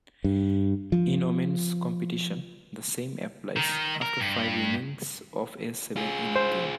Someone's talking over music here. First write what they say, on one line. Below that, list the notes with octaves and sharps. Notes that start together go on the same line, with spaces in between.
In women's competition, the same applies after five innings of a seven-inning game.
G2
F3
D#3
A#4
G2
F4 G#4
C5